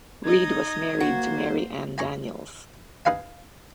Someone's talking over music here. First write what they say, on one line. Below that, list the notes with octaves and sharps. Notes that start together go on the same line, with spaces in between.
Read was married to Mary Ann Daniels.
D#4 D#5 G#6
A#3 F#4 C5
G#5 A#5 C#6
D#4 B4 F5 G#5